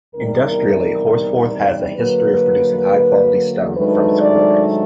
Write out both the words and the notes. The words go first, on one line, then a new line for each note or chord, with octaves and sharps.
Industrially, Horsforth has a history of producing high quality stone from its quarries.
E2 C3 D#3 G3 A#4
D3 F#3 A#3 B4
G#2 D#3 F#3 A3 D4 B4
D5